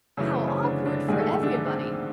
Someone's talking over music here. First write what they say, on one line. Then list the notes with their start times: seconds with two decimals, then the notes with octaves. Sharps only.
How awkward for everybody!
0.17 F#2 C#3 E3 A3 C#4
0.33 C4
0.47 C#3 C#4
0.63 D3 D4
0.86 D3 D4
1.08 A#1 G#2 D#3 G3 G#3 A#3 G#4
1.19 A3 A4
1.43 D3 D4
1.54 D3 D4
1.65 C4